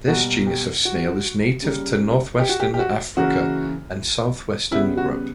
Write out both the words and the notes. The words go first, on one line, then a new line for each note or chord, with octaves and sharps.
This genus of snail is native to northwestern Africa and southwestern Europe.
B2 G3 A#3 F#4
G4
F#4
C#3 G3 A#3
G4
F#4
G4
G4
F#4
C#3 E3 A#3 F#4
C#3 G3 B3 E4
F#4